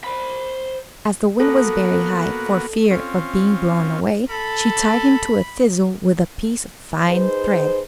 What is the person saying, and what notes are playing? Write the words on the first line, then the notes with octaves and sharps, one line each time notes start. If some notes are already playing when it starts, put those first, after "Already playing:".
As the wind was very high, for fear of being blown away, she tied him to a thistle with a piece of fine thread.
C5 B5
A#3 B3 F#4 A4
C4 C#4 F4
A4 B5
D#4 G#4 B4 C5